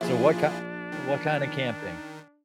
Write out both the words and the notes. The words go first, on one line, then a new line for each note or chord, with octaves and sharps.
So what kind what kinda camping?
A#1 D4 E4 F4 G#4
D#3